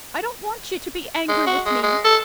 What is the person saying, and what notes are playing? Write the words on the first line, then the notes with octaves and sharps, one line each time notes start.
But I don't want you to be angry with me.
G#3
F#4
G#3
G#3
A4